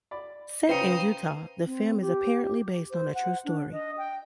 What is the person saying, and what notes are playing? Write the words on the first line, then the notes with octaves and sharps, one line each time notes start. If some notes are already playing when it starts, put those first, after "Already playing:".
Set in Utah, the film is apparently based on a true story.
D5 B5
C#3 B4 C5 G5 A#5 D#6 C#7
C4
G4
C5
F#5
D4
D#5
G5